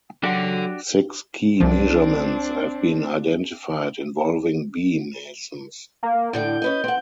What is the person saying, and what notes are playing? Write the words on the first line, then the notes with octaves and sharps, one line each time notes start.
Six key measurements have been identified involving B mesons.
F#3 D4 F#4 G4 A4 F#5
C2 F3 C4 D4
A#3
A2 D3 G3 G6
C#4 B4 D#5
C4 F#5